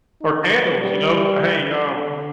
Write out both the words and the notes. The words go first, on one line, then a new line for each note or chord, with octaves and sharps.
Or candles, you know, "Uh, hey, um,
D#4
B4
G3
D3